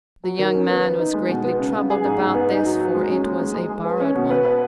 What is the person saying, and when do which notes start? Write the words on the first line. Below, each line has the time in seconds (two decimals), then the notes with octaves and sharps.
The young man was greatly troubled about this for it was a borrowed one.
0.24 F#3
0.39 D#3
0.54 C#4
0.69 B3
0.85 B4
0.99 D#4
1.14 G#3
1.29 B2
1.44 B3
1.59 C#3
1.75 C#3
1.90 G#4
2.05 G#2
2.19 G#2
2.34 B3
2.50 D#4
2.65 F#3
2.80 F#3
2.95 G#3
3.10 C#4
3.24 G#3
3.39 G#3
3.55 G#3
3.70 G#4
3.85 B4
4.00 C#4
4.14 B2
4.30 B4
4.45 B4